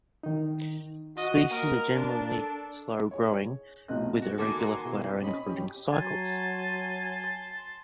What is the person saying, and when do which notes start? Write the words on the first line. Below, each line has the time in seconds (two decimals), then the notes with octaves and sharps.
Species are generally slow growing with irregular flowering and fruiting cycles.
0.23 D#3 D#4
1.17 F#4 D#5
1.50 A#3 A#4
1.93 D4
2.30 A4
3.11 G#4 C#5
3.88 B1 A2 C3 F3 D#5 F#6
4.22 F#4
4.38 D#3 A#3 F#4 A4 G#5 C6
4.85 B2 E4 G#4
5.04 C4
5.24 C#4 D#5 B5
5.46 C#4 G4
5.92 F#3 G#5 A5 C6 A6